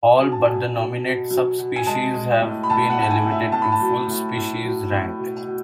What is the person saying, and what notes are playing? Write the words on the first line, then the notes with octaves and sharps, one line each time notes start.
All but the nominate subspecies have been elevated to full species rank.
F#3 G#5
A5
B2 G#5
B2
B2
F#3
B2
G#5
G#3 A5
G#3
A2
B5
A2 A5
F#5
A2
A5
G#5
A2
E5
A2 A5
B5
A5
F#3
A2
A2
F#3
A2
B2
B2